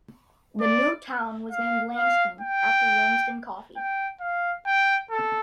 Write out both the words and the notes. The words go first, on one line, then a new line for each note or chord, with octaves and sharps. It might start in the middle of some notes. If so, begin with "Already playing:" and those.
The new town was named "Langston" after Langston Coffee.
D5
F5
F5
G5
G5
F5
G5
A4